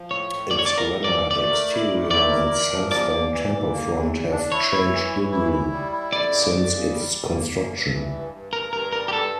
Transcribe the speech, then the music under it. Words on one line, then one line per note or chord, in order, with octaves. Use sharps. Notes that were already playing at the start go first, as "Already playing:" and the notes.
Its granite exterior and sandstone temple front have changed little since its construction.
Already playing: F3
A2 C#5
A2
F3 D5
C#5
F3 D5
A#4
F3
D5
A2
A3 D5
A#4
E4
A3
E4 D5
A#4
A#4
F3
E2 D5
A#3
E3
E3
A#3
E2
E2
D4
E4 C#5
E4
E3
E3
E4
E4
G3
E4
F2 D5
C#3
F2
C#3
G3
G3
A#3
A#3
G2
E3
G2
G2
G2 A#4
G2 A#4
G3 A#4
G4
G2 A4